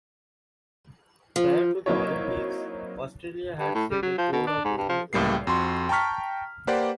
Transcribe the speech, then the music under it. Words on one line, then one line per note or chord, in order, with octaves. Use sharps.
Prior to the Olympics, Australia had set a goal of winning one medal.
F3
F#3 A#3 C4 D#4 E4 C#5
G2
A2
G3
F#3
F3
B2
D4
G#2
G2
F3
C#2 A2 G3 A#3 C7
F2 F#4 C6
G5 A5 A#5 C#6 F6 B6
A#3 G4 B4 C5 D5 F#5